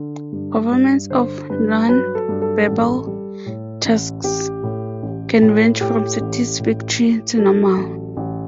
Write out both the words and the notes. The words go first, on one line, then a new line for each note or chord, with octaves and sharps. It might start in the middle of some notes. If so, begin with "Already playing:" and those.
Performance of nonverbal tasks can range from satisfactory to normal.
Already playing: D3
G2
G2
D3 C5
G2 B4
F#3 B4
A4
G2
A4
A1
G3
A2
A1
A1 G4
A2
A1
A2
A2 G4
A1
A2
A2
F#3 A4
A1
A1